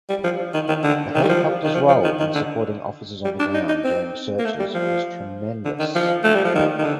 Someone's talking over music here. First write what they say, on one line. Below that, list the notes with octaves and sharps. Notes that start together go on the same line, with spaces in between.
The helicopter's role in supporting officers on the ground during searches was tremendous.
G3
F3
D#3
D#3
D3
D#3
G3
F3
D#3
F3
F3
D#3
D#3
D3
G3
D4
D#4
D#4
C4
A#3
A3
G3
F3
D3
D#3
F3
A3
G3
F3
D#3
D#3
D3